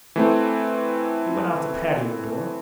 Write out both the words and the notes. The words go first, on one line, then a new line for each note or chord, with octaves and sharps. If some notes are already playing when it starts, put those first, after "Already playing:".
He went out the patio door.
E3 A3 C4